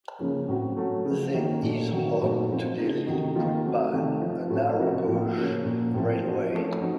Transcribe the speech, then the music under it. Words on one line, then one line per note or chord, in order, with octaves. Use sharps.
The is home to the Liliputbahn, a narrow gauge railway.
C#3 F3 A#3 C#4
A2 F#3 C4 F#4
F#3 A3 C#4 F#4
C#3 F3 C4
D#3 A#3 C#4 F#4
A#2 F#3 A3
D#3 F#3 C4 F#4
A#2 F#3 A3 D#4 F#4
F3 C4 F4
C#3 A3 D#4
C3 D#3 A3 D#4 F#4
D#3 A#3 F4
F#3 A3 C4 F#4
C3 D#3 A3
F3 C4 F4
A2 F#3 A3 C#4 F4
C3 F3 C4 F#4
A2 F3 A#3 F4
C#3 F3 A#3 C#4 F#4
A#2 F3 A#3
A2 F3 C4
F3 C4 D#4 F#4
F3 A3 C#4
F3 C4 D#4 F#4